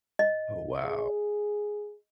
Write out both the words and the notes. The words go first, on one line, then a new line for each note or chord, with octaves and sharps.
Oh, wow.
D#5
G#4